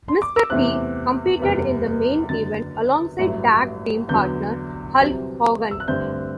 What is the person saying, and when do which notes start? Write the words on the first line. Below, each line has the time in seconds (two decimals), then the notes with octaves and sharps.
Mr. T competed in the main event alongside tag team partner, Hulk Hogan.
0.08 C6
0.22 D6
0.36 E6
0.50 E2 C3 E3 A3 C4 F#6
1.40 F#1 E2 C3 G3 B3
2.29 F#1 F#2 D3 A6
3.19 A1 G2 F#3 A3
4.09 E2 D3 F#3 G6
4.98 C2 C3 F#3 C4
5.71 E6
5.80 F#6
5.88 G2 D3 A3 C4 G6